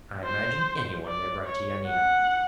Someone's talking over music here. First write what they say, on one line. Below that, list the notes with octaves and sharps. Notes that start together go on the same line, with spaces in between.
"I imagine any one may write to Yanina."
C5
D5
C#5
F#5